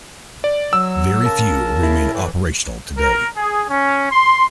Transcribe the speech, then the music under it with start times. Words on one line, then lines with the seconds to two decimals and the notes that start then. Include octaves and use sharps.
Very few remain operational today.
0.44 D5
0.73 F#3 E6
1.23 C#3 A#4 A5
1.83 E4
2.13 A2 E3
2.97 A#4
3.36 G#4
3.69 C#4
4.12 C6